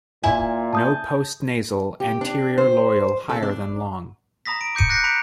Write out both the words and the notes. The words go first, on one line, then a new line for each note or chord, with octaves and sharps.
No postnasal, anterior loreal higher than long.
A#2 E4 G#5
A5 D#6 G6
G4
D4
C5
A4
D4
A#5 B5 D#6 A#6 B6
D7
D6 G6 C#7 D#7
F#6 G6 A#6 C7 C#7
A#5 B5 B6 C#7 D7 F7